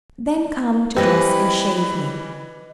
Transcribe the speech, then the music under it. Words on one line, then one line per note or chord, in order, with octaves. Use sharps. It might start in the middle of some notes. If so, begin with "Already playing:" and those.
"Then come to dress and shave me."
E3 G3 C4 B4 D#5 B5